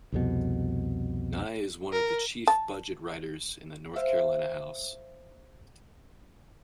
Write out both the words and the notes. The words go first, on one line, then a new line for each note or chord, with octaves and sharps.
Nye is one of the chief budget writers in the North Carolina House.
C2 F2 B2
A#4
A5
C5 E5 F5